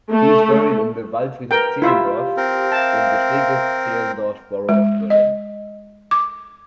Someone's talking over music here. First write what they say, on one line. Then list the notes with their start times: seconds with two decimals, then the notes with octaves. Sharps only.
He is buried in the Waldfriedhof Zehlendorf, in the Steglitz-Zehlendorf borough of Berlin.
0.11 A3
1.51 A#4 B4 G5
1.82 E4 F4 G4 E5 F5
2.37 C4 A#4
2.72 E5 F5 A5
4.69 G#3
5.10 D#5
6.11 D6